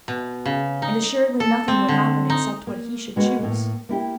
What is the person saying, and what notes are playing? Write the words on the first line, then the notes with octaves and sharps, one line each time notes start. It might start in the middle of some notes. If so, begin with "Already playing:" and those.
And assuredly nothing would happen except what he should choose.
B2
C#3
D#4
A4
C4
D3
D#4
A#3
B2 G#3 A#3 B3 F#4
A2 A#3
A#3 E4 G4